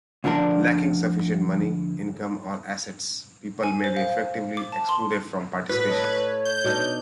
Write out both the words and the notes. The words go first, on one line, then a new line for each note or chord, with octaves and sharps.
Lacking sufficient money, income or assets, people may be effectively excluded from participation.
D2 D3 F3 D4 A#4
G#5
C5
F5
D6
A5
C6
A2 F#4 B4
A4 C#5 D#5
G6
B2 D4 D#4